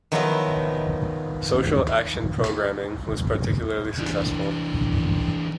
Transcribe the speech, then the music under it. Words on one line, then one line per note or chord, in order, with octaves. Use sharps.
Social action programming was particularly successful.
D#3 F3 F#3 B3 D#4 E4
E3 D4